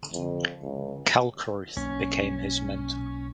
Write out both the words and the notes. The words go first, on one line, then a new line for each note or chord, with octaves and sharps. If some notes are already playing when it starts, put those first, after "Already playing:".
Kalckreuth became his mentor.
F2
C#2
B1 A#3 C#4